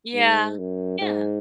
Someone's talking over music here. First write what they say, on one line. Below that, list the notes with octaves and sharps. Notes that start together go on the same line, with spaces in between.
Yeah, yeah.
G#2
F#2
G#2